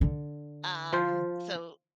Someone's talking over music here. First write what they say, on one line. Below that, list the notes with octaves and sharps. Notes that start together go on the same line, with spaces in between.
um, so
D3
F3 F4 C5